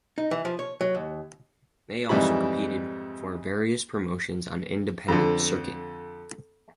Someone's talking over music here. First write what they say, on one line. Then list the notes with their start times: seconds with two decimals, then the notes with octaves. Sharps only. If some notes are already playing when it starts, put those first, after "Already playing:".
They also competed for various promotions on independent circuit.
0.18 D#4
0.31 E3
0.45 F3
0.59 C#5
0.81 F#3
0.95 D#2
2.09 F2 G#2 E3 G3 B5
5.08 F2 D3